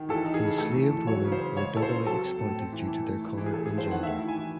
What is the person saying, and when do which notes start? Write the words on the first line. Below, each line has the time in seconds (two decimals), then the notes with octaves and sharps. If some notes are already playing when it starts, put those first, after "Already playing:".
Enslaved women were doubly exploited due to their color and gender.
Already playing: D#3
0.09 E3 A4
0.25 D#4
0.34 G#4
0.42 C#3
0.58 A3 A4
0.75 E3
0.91 E3
1.07 F#3 C#5
1.24 C#3
1.32 C5
1.41 C#3
1.57 G#3 C#5
1.73 E4 A4
1.82 C5
1.90 C#3
2.06 F#3 A4
2.23 C4
2.38 A2
2.56 C4
2.72 E3
2.88 E3
3.04 A3
3.21 E4
3.37 E3
3.46 G#4
3.53 A3 A4
3.66 E4 G#4
3.78 C5
3.86 D#3 F#5
4.03 A3 E5
4.19 E4
4.28 G#5
4.36 E3